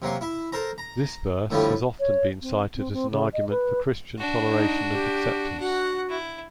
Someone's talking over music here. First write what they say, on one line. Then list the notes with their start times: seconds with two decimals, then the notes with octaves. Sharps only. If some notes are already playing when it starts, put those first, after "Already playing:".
This verse has often been cited as an argument for Christian toleration and acceptance.
0.02 C3 F#3 A#3 C6
0.21 E4 E5
0.52 A4 A#4 C5 A#5
0.78 A#5
1.51 A2 D3 F3 G3 A3
2.00 C#5
2.42 C4
2.76 C4
2.93 C4
3.11 C#3
3.33 D#5
3.50 B4
4.18 D4 F#4
4.51 D#4
4.91 G4
5.60 F#4 F#5
6.10 E4